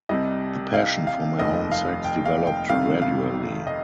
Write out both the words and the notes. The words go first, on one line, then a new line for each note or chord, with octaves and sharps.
The passion for my own sex developed gradually.
C2 C3 G3 D#5
F5
F5
F1 D#2 D#3 D#5
F5
G5
F5
G5
G1 F2 C3 D#3 F5
F5
D#5